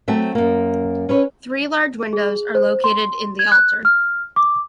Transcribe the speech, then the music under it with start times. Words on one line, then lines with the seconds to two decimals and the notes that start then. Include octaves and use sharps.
Three large windows are located in the altar.
0.08 F#3 A3 C4 F#4 E5
0.35 F#2 A#3
1.09 C#4 B4 C#5
2.13 G#4
2.55 C5
2.84 C6
3.39 G#6
3.52 F#6
3.85 F6
4.36 D6